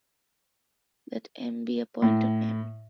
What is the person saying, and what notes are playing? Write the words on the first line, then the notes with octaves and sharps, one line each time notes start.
Let "m" be a point on "M".
A2